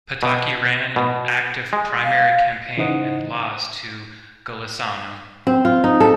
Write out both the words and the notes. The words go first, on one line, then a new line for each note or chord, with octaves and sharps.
Pataki ran an active primary campaign and lost to Golisano.
B2
B2
G#3
F5
C#3 E3 D#4 C5 D#5 F#5
C4
F4
D#4
A4